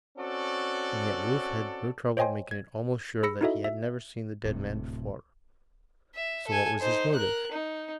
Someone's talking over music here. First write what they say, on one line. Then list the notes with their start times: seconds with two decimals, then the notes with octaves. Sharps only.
And yet Rufe had no trouble making it almost sure that he had never seen the dead man before--so what was his motive?
0.18 C4 C#4 F#4 A4 D5
2.17 C5 C#5 D#5 G5 G#5 C6
2.51 G#6
3.23 G#4 B5 E6 A#6 C#7
3.41 D#4 E4 F#4 A4 D#5 E5
3.64 E5
4.45 D1 A2 C3
6.15 E5
6.47 A4 G#5
6.81 D#4 C5
7.15 A#4 F#6
7.52 D#4